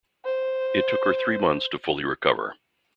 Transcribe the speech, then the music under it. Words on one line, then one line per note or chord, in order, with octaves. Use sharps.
It took her three months to fully recover.
C5